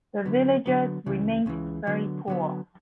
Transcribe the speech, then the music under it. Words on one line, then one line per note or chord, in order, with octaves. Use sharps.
The villagers remained very poor.
D3 F#3 B3
D3 F#3 B3
C#2 C#3 E3
C#2 C#3 E3
D3 F#3 B3
D3 F#3 B3